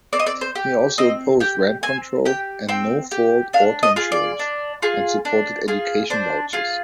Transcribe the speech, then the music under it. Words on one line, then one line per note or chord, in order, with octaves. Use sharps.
He also opposed rent control and no-fault auto insurance, and supported education vouchers.
C4 D5
D#5
D5
C5
G4
C4 D#5
G4 G5
C4 G#5
G4 G5
C4 G5
G4
D4 F5
D#5
F4 G#4
D5
D4
F4 G#4
D4
F4 G#4
D4 C5
F4 G#4